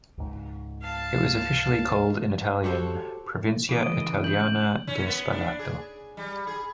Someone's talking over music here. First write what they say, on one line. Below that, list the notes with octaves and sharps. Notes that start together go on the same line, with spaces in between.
It was officially called in Italian: "Provincia italiana di Spalato".
C#2 G#2
F5 A5
F#4 G4 A4 A#4 C5 C#5
C#3 E3 D#5 D7
G6 F#7
C#4
B3
D4
G#4
G3
G#4